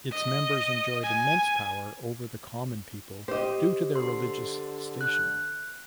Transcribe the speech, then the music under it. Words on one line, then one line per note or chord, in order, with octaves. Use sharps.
Its members enjoyed immense power over the common people due to their religious station.
D#5
G#5
G4 C5 D#5
D3 C6
F#6